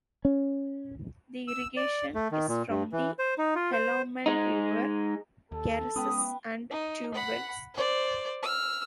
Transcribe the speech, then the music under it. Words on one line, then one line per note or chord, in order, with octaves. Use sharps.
The irrigation is from the Helamand River, karezes and tube-wells.
C#4
E6
D5
A3
D#3
A#2
G2
E3
C5
D#4
F4
C5
G#3 D#4
D#2 A4
G#3 B3 C#4 B4 G5 B5 D#6
D#4
F#5 B5
C5 D5
E6 F6